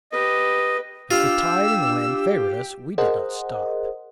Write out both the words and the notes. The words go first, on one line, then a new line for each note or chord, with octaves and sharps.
As the tide and wind favored us, we did not stop.
G4 B4 D#5
D4 F4 G4 E6
G#4 A#4 C5 D#5 F#5